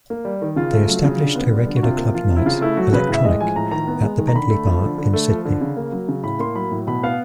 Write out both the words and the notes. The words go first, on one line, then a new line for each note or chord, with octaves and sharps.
They established a regular club night, "Electronic", at the Bentley Bar in Sydney.
A#3
G3
D#3
C#3 F4
A3
F#3
C#3
D3
B3
G3
D3
F#4
C3 F4
A#3
F3 F4
C3
E4
C#3 F4
A3 E4
F#3 F#4
C#3 B4
A2
E5
G#3 D#5
F3 G#5
A2 A#5
D#3 A#5
B3
G#3
D#3
A#5
D3 B5
A3
F3
D3
D3
A3
F3
D3
C#3
A#3
F#3
C#3
A2 B5
A#3 C6
F#3 B5
A2
B2 B5
B3 F5